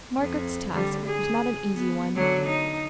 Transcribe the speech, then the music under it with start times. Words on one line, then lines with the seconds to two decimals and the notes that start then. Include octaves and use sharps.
Margaret's task was not an easy one.
0.18 F2
0.73 D3 G3
1.06 G#4
1.75 B3
2.15 D3 F#3
2.47 D#4